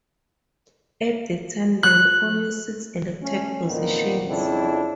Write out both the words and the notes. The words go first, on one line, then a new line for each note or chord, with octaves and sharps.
At the time there were only six elected positions.
F#6
A3 C#4
F2 A#2 D#3 B3 C4
F2 C#3 C4 D4 E4